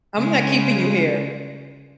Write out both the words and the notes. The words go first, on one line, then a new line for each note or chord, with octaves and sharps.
I'm not keeping you here.
C#3 G#3